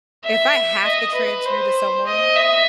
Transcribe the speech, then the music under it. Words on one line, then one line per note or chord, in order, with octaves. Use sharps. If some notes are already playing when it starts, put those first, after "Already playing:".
if I have to transfer you to someone,
E5
D#5
B4
C5
D#5
E5